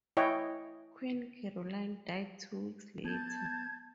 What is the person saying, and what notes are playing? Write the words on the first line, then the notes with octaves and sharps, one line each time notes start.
Queen Caroline died two weeks later.
E4 C#5 D#5 G5
B3 A5 G6 G#6